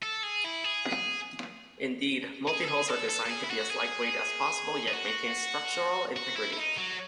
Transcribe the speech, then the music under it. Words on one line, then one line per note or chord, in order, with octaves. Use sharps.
Indeed, multihulls are designed to be as light-weight as possible, yet maintain structural integrity.
A4
G#4
E4
G#4
G#4
A4
G#4
A4
A4
A4
G#4
E4
F#4
G#4
G#4
F#4
F#4
E4
E4
D#4
F#3